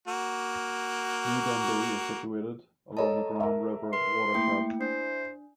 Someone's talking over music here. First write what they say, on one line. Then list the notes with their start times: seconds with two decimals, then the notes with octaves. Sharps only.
New Dundee is situated along the Grand River watershed.
0.08 A#3 F#4
2.97 A4 C#5 D#5 A5 A#5
3.40 A#4 E5
3.93 B4 C6
4.34 A3 A#3 E4 G5
4.81 D4 C5